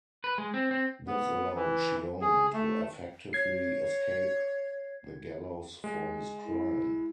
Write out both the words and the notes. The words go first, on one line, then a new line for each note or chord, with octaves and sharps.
This allowed Cheong to effectively escape the gallows for his crime.
B4
G#3
C4
C4
B3
E3
G#4
A3
C#5 G#6 C7
G#3
E4